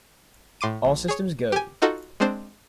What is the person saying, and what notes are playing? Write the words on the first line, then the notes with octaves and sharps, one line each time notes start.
All Systems Go!
A2 C6 D6 D#7
A#1
G#4 C#5
G4 G#5
D#4 F4 F#4 A4 D#5
G#3 C4 D4 C5